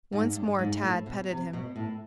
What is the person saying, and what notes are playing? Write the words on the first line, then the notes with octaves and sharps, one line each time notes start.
Once more Tad petted him.
G#2
G2
G#2
A2
B2
C3
B2
A2